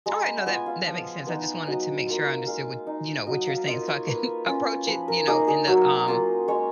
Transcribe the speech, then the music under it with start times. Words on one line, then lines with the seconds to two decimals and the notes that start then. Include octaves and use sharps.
Alright, no, that that makes sense. I just wanted to make sure I understood what you know, what you're saying so I can approach it in the, um,
0.06 G#3 A#5
0.25 B5
0.37 F#5
0.46 B3 F4 G#5
0.66 F5
0.87 F3
1.27 B3 D#4
1.66 F#3 D#5
2.06 A#3 F4
2.46 G#3 F5
2.87 D#4
3.27 F#3 D#5
3.47 F5
3.67 A#3 F4 D#5
3.88 C#5
4.07 A#3 B4
4.47 C#4 F4
4.87 F3 B4
5.08 A#4
5.27 A#3 D#4 G#4
5.48 G#4
5.67 F#3 A#4
6.08 A#3 F4
6.48 G#3 C#5